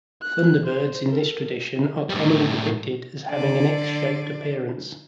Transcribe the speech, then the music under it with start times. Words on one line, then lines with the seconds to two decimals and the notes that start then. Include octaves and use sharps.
Thunderbirds in this tradition are commonly depicted as having an X-shaped appearance.
0.22 F#6
0.66 C5
1.10 A4 A#4
2.09 A2 G3
3.29 D3 D5